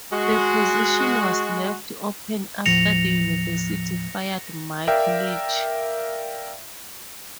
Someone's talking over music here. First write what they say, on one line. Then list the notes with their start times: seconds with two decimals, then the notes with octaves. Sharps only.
The position was left open after the university fired Mike Leach.
0.13 G#3 F#4
2.66 D#2 A2 F3 A#6 C#7 F7
4.87 A#4 D5 E5 F5 G5